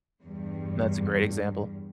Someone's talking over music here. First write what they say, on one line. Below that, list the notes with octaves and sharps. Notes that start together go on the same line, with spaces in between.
That's a great example.
E2 G2